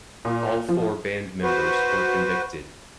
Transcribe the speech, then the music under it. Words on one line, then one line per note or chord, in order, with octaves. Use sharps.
All four band members were convicted.
A#2
F3
F#4 B4 C5